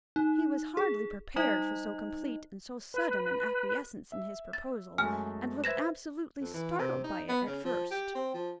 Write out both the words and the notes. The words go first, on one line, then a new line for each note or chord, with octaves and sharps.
He was hardly prepared for so complete and so sudden an acquiescence in his proposal, and looked absolutely startled by it, at first.
D#4
G#4
G3 D#4 D#5
B4
E5
A6
F#2 G#3 A3 G#5 F6
B4 C5 E5 G#6 A#6 E7
F2
E3
C3
D#4
B3
C#3
F3
G4
C4
F3